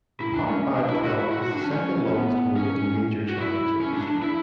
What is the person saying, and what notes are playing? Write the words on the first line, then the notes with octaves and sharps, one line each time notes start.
The par five twelfth is the second longest hole in major championship history.
E4
D4
C#4
D4
E4
F#4
E4
F#4
F#4
D4
C#4
C#4
B3
C#4
F#4
E4
C#4
D4
D4
E4